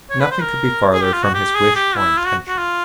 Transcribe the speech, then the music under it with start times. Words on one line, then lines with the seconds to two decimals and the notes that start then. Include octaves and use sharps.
Nothing could be farther from his wish or intention.
0.10 C#5
0.20 B4
0.31 C5
0.41 A#4
0.93 G#4
1.03 G4
1.13 F4
1.24 F#4
1.34 G4
1.55 G#4
1.75 G4
1.97 E4
2.17 F4
2.27 F#4
2.48 F#4
2.58 F4